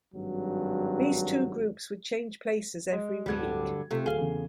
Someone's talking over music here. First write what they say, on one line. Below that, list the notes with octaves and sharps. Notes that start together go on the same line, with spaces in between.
These two groups would change places every week.
G#1 G2 F#3
G#3
D1 G2 D3 G3 G#6
C3 A3 F4
D1 G#4 F5 D#7 G7
E2 C#3